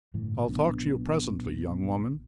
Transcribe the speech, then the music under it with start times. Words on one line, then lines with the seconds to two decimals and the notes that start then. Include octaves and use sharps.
I'll talk to you presently, young woman.
0.14 G1 A2 E3
0.48 B1 A#2 B3 D4